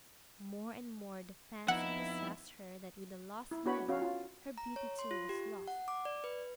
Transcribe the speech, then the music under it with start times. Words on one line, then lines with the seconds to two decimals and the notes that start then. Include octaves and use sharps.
More and more the fancy possessed her that with the lost mirror her beauty too was lost.
1.68 F2 B3 D#4 E4 F#5
3.51 E4
3.66 B3 D4 F#4 C#5 B5
3.88 C#4 F#4 F5
4.02 F4
4.58 A#5
4.76 C#5
4.99 C6
5.11 F4
5.29 G4
5.68 F#5
5.88 D6
6.05 D5
6.24 B4